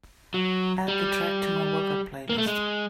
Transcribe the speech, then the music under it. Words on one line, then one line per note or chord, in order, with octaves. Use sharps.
Add the track to my workout playlist.
F#3
G3
A#3
A3
G#3